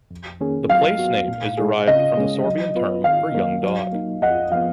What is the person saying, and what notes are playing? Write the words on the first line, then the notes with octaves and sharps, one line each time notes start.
The place name is derived from the Sorbian term for "young dog".
F2
D#3 A#3 C#4 G#4
F#3 F5
B3 F#4
A#2
G#3 D#4 G#4
C#3 D#5
G#3 C#4
F#3
B3 F4 B4
D#3 F5
F#3 A#3
F#3
A#3 D#4
F2 D#5 F#5
F3 B3 F5